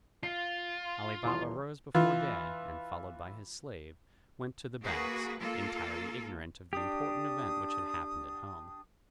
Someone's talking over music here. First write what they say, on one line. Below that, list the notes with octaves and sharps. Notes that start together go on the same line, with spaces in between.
Ali Baba rose before day, and, followed by his slave, went to the baths, entirely ignorant of the important event which had happened at home.
F4 C7
D#1 E3 C6
E3 F4
A#3 F#4 G#4 B4
A#3 F4 A4
D4 G4 D#6